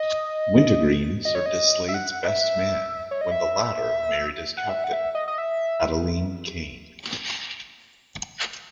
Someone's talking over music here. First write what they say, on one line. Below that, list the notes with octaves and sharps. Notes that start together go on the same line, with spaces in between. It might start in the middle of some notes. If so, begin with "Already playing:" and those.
Wintergreen served as Slade's best man when the latter married his captain, Adeline Kane.
Already playing: D#5
D#5
C#5
D#5
E5
F#5
D#5
E5
C#5
D#5
E5
F#5
E5
F#5
E5
D#5
D#5
E5